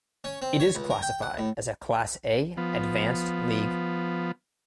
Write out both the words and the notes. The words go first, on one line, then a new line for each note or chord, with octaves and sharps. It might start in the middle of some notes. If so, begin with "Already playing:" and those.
It is classified as a Class A-Advanced league.
C#4
C4
C#5
C#2
A#4
G5
F#5
A2
F3 B3